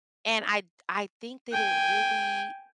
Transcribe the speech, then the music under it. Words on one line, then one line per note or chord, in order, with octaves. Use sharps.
And I I think that it really
G5 G#5